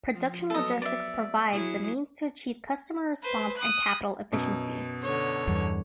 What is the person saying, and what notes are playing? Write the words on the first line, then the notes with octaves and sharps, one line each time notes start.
Production logistics provides the means to achieve customer response and capital efficiency.
F3
F#3 B3 A4 D#5
D5 E5
F#3 E4 G#4
B4 C5
D#6 F#6
F#2 B2
D3 C#5
E2 G2